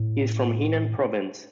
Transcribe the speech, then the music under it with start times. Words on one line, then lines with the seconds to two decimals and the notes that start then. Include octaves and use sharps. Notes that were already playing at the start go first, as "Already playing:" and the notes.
He is from Henan province.
Already playing: A2